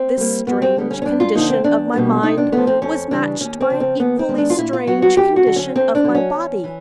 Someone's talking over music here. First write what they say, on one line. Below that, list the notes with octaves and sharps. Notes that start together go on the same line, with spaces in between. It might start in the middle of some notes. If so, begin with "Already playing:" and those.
This strange condition of my mind was matched by an equally strange condition of my body.
Already playing: C4
G3 A#3
F#2 B3
C4
D3 G3 B3
C#4
C#4
G2 D4
F4
D3 F3 A#3 D#4
C4
E2 D4
B2 G3 A#3
C3 D#4
D4
F3 A3 B3
C4
F2 C#4
C#3 E3 G3 D4
D#2 C#4
C4
C#3 F3
C4
D#2 B3
C4
D#3 G#3 B3
D4
F4
A#2 E4
F4
F#3 B3 F#4
F#4
F#2 G4
F#4
D3 F#3
C#4
F2 C4
D4
D3
F#3
C#4
E2
E3